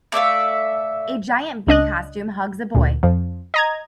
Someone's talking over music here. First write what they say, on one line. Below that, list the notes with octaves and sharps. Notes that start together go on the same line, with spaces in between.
A giant bee costume hugs a boy.
A3 D5 E5 F5
C#2 D4 D#5 F#6
D2 A#2
F2 F3
D#5 A#5 G#6